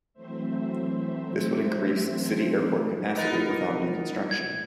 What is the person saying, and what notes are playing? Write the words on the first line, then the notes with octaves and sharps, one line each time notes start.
This would increase city airport capacity without new construction.
E3 F#3 A3 C4 C5 E5
B3 D#4 A#4
G#6